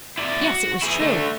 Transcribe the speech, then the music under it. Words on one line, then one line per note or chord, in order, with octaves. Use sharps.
Yes; it was true.
E4 D5
F#4
E4 G#4
A3 D4